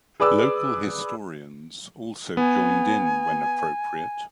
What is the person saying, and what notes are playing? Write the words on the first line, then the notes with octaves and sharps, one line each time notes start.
Local historians also joined in when appropriate.
G#4 B4 D5 D6 E6
B3 G#5